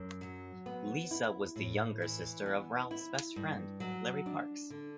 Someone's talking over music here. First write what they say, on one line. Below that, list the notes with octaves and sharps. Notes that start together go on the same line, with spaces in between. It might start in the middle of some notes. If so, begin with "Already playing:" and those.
Lisa was the younger sister of Ralph's best friend, Larry Parks.
Already playing: F#2
F#3
B3
E4
A2
E3
B3
E4
G2
F#3
D4
D3